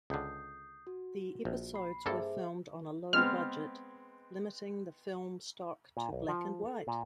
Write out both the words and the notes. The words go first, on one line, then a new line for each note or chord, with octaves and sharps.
The episodes were filmed on a low budget, limiting the film stock to black-and-white.
C#2 D3 D#6 G6 C7
F#4
A#1
B5 C7
G2 A#3 G#4 A4 C5 E5
G#3 B3 C4 F6
A#2
B1
F3
A4
A#2